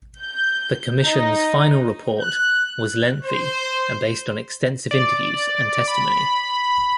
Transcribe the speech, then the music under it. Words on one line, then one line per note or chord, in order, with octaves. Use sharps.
The commission's final report was lengthy and based on extensive interviews and testimony.
G6
D#4
F#6
C5
D5
B5